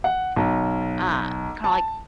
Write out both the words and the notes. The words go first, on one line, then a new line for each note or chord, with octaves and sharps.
Uh, kinda like
F#5
B1
A5